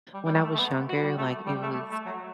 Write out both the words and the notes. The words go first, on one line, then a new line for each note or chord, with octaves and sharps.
when I was younger, like, it was,
G3
G3
A3
A3
A3
B3
F#4
G3
A3
G3
A3
A3
A3
F#3